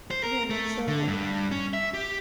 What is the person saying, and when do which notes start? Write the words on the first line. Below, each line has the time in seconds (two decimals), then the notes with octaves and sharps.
Yeah. So,
0.11 C5
0.23 A#4
0.50 A3
0.88 D3
1.07 G2
1.51 C#4
1.73 E5
1.94 G4